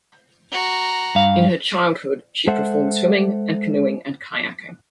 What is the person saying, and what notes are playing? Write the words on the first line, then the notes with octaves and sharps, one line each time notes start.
In her childhood she performed swimming and canoeing and kayaking.
F#4 A#5
G2 F5
G#3 A4 C5 E5 F#5